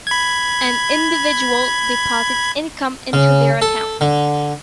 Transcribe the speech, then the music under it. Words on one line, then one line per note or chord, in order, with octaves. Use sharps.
An individual deposits income into their account.
B5 G#6
C#3
A4
D3